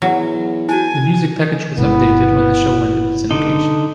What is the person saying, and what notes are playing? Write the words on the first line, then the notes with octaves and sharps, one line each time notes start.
The music package was updated when the show went into syndication.
E2 F#3
E4 F#4 G#5
G1 B2 G#3 B3 E4
D3 D#4